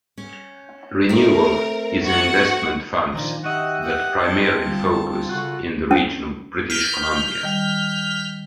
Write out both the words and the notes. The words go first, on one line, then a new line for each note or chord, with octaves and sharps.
Renewal is an investment funds that primarily focus in the region of British Columbia.
C#4
A3 C4 A#4
F#4 F#5
A#2 D#3 F3 D4 D#4 F5 A#5
F#4 G4 D#5 E5 F#5
F#5 G5
C4 A5
D3 G3 F4
C#3 F4 F#4 A4 F#6
C#4
F6 G6 B6
D#3 G3